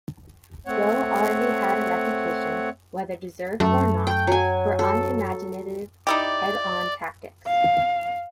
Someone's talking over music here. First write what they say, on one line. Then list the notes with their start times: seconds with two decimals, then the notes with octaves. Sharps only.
Gough already had a reputation, whether deserved or not, for unimaginative head-on tactics.
0.67 A3 C4 C#5 F#5
3.60 F#2 A3
4.07 G5
4.27 F#3 G#5
4.79 A4
6.07 D#4 E4 G4 D5
7.47 F5